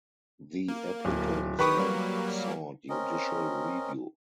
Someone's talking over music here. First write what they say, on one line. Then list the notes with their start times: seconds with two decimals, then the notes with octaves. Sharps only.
The applicant then sought judicial review.
0.68 A#3
1.05 D1
1.59 D#3 G4 B4 B5 C#6 D#6
1.77 F#3 G3 A#3
2.89 C4 C#4 A#4 D#5